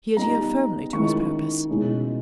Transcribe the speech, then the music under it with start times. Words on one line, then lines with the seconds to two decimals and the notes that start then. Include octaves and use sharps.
He adhered firmly to his purpose.
0.17 G3 B3 D#4 A#5
0.93 D#3 G#3 C#4 E4 C#6
1.68 B2 G#3 C#4 E4